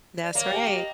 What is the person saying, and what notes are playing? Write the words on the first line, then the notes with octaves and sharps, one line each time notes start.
That's right.
D5
A#3 C#5
G4
D#5